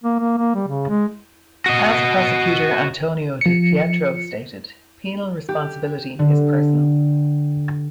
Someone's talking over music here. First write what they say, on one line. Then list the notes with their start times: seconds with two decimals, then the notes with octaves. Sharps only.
As prosecutor Antonio Di Pietro stated, Penal responsibility is personal.
0.04 A#3
0.19 A#3
0.38 A#3
0.55 G3
0.68 C#3
0.89 G#3
1.66 F#4 D#5
3.41 F3 C#7
5.49 G4
6.19 D3